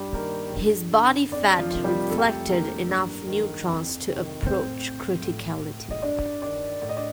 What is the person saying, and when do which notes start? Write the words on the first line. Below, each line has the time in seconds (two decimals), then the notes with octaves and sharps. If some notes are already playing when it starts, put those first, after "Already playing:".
His body fat reflected enough neutrons to approach criticality.
Already playing: G2 G3 G4
0.14 D#3 A#3 A#4
0.53 G2
0.93 D3
1.31 F2 D4 D5
1.58 F3 F4
1.72 C3 D#3
1.84 G3 G4
2.10 F2 A4
2.18 G4
2.26 A3 A4
2.49 D3 A#3 A#4
2.89 G2
3.28 D#3
3.67 F2
4.06 C3 D#3
4.46 A2 C4 C5
5.24 A2
5.91 D#5
6.02 G2 D4 D5
6.42 D#3 D4 D5
6.82 A2 D5
6.89 D#5
6.97 D4 D5